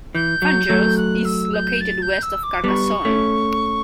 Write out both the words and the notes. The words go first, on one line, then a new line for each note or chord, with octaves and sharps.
Fanjeaux is located west of Carcassonne.
E3 G6
F#3
F#3 A3
F#6
E6
G6
A6
G6
E6
D6
G3 B3 C#6 D6
A3 C#4